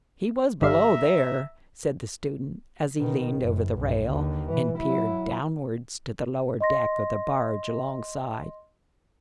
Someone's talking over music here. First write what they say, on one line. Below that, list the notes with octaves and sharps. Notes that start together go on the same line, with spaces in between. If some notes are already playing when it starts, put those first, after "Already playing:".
"He was below there," said the student, as he leaned over the rail and peered downwards to the lower deck of the barge alongside.
G1 G3 E5 F5 A#5
B2 D#3
F#1 F#2
B1 G2
D#2 D3
B2 E3
F#3 E4
D#5 C6 A#6